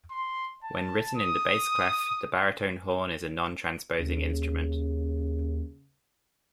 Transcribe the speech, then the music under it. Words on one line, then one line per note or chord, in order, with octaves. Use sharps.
When written in the bass clef, the baritone horn is a non-transposing instrument.
C6
A5
D#6
D#2 C#3